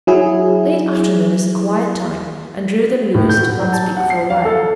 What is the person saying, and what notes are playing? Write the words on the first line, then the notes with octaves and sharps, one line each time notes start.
Late afternoon is a quiet time, and Ruth and Louis did not speak for a while.
F#3 E4 G#4
A2
G6
F#4
F#3
A5
F#5
C7
F5
A4